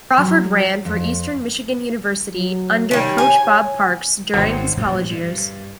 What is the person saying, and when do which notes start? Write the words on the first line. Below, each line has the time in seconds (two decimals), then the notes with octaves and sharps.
Crawford ran for Eastern Michigan University under coach Bob Parks during his college years.
0.18 F#3
0.85 F2
2.32 F#3
2.91 D#3 G3 C#5
3.18 G#5
4.34 G#1 B2 D#3 F#3 C4
4.77 A#2 F3 G3
5.09 G2